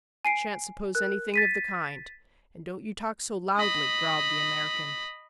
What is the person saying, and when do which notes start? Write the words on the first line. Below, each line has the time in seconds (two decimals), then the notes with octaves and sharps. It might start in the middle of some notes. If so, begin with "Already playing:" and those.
"Shan't suppose anything of the kind, and don't you talk so loudly," growled the American.
0.25 G#5 C7 D7
0.95 A#4 F#6
1.34 A6 B6 D#7
3.57 D#5 B5